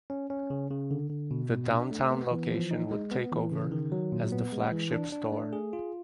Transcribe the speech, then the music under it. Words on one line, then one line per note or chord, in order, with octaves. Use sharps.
The Downtown location would take over as the flagship store.
C#4
C#4
C#3
C#3
D3
D3
B2
B2
D4
A3
B3
E3
F3
D#4
G#3
B3
E3
C#3
D#3
F#3
A#2
B3
G#3
E3
D4
D4
A3
G#4
F4